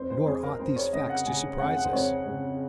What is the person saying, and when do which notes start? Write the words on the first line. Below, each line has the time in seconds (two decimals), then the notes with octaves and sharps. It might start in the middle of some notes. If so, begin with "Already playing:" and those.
Nor ought these facts to surprise us.
Already playing: F2 C5
0.10 C5
0.26 F2 G#4
0.43 A#4
0.59 F2 C5
0.76 C#5
0.93 C#3 D#5
1.10 F#5
1.26 C#3 G#5
1.59 F2 F#5
1.77 F#5
1.85 C5
1.93 F2 C#5
2.26 C#3